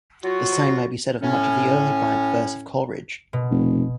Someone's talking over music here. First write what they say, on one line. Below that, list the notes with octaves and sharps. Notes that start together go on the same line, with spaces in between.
The same may be said of much of the early blank verse of Coleridge.
F#3 F4 F#4
A2 C#4
B2
F1